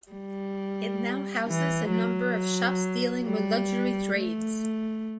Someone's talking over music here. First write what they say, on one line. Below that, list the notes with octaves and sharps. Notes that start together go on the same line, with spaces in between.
It now houses a number of shops dealing with luxury trades.
G3
E3
F#3
G3
A3